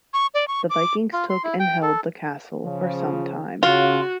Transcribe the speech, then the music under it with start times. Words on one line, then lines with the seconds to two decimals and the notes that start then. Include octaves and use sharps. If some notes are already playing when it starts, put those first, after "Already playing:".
The Vikings took and held the castle for some time.
0.14 C#6
0.34 D5
0.48 C#6
0.70 D6
1.13 F4
1.30 C6
1.44 E4
1.60 G5
1.83 A4
2.62 C#3 F3
3.63 C#3 F4 F#4